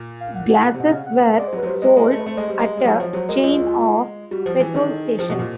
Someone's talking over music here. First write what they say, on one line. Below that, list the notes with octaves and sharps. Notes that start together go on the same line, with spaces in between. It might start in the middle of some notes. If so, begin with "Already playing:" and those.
Glasses were sold at a chain of petrol stations.
Already playing: A#2
F5
F#5
F#5
F#5
C3
B2 F#5
C#3 F5
F#5
G#3 D5
C5
F#3
B4
F#3
G3 C5
B4
G#3
G#3
A3
B4
A3 C5
G#3
G3
G#3
G3
F#3 C#5
F3
F#3 C5
G#3 A#4
F#4
G#3 F4
G3 F#4
F3
E3 G#4
D#3
A4
G#4
F3 G4
B2
A#2